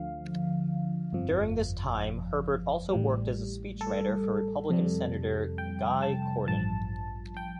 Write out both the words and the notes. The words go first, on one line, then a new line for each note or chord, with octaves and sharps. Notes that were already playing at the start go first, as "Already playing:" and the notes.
During this time Herbert also worked as a speechwriter for Republican senator Guy Cordon.
Already playing: D2 D3 F3 F5
G1 F2 F3
A1 A2 G3
A4
F2 C3 G3
G5
A5
A1 G2 F3 A5
G5